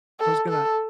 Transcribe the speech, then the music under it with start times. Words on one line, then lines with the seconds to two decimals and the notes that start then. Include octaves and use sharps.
I was gonna
0.20 A4
0.49 A4